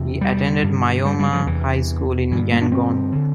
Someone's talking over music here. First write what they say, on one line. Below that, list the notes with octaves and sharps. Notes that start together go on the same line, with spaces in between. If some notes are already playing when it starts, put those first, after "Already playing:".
He attended Myoma High School in Yangon.
Already playing: E2 C3
G3
G2 D3
G3
G3
F3
E2 C3 E3
G2 D3 E3
A#3
D4
C4
D3